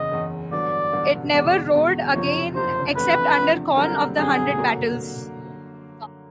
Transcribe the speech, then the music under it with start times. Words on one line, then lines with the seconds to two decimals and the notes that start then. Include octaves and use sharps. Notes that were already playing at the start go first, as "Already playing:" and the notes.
It never roared again except under Conn of the Hundred Battles.
Already playing: F#1 E2 C#3 D#5
0.11 F#1 E2 C#3
0.51 A1 G2 D3 F#3 B3 D5
0.93 A1 G2 D3 F#3 B3
1.33 E2 B2 G#3 D5
1.74 E2 B2 G#3
2.14 F#1 F2 C3 F3 C#5
2.55 F#1 F2 C3 F3 C5
2.96 E2 C3 F3 A3 D4 B4
3.37 E2 C3 F3 A3 D4
3.77 F#2 D3 G3 C4 A#4
4.18 F#2 D3 G3 C4 G#4
4.58 D3 F#3 A#3